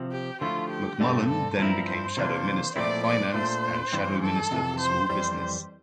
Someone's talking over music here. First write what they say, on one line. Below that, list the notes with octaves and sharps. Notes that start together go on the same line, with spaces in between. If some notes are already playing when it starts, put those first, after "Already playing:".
McMullan then became Shadow Minister for Finance and Shadow Minister for Small Business.
Already playing: C3 F3 C4
G4
D3 F3 A3 E4 F4
G4
G2 D3 A3 C4
A4
G2 F3 C4 E4 A#4
C5
C3 E3 A#3 D4
A#2 F3 A3 C4 E4 D5
D5
A#2 A3 D4 C5
G2 E3 G3 C4
A4
F2 C3 E3
C5
F2 E3 G3 C5